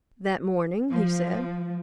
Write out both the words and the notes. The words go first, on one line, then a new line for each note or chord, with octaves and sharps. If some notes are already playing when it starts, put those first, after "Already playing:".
That morning, he said.
F3